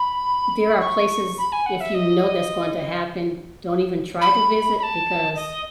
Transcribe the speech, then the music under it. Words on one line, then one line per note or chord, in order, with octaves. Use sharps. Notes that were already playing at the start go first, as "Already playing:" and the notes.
there are places, if you know that's going to happen, don't even try to visit because
Already playing: B5
C#6
B5
G#5
F#5
E5
D#5
B5
B5
A5
D#5